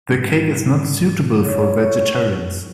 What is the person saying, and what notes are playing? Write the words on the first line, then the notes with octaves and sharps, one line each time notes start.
The cake is not suitable for vegetarians.
G#2 G3 C#4
C#5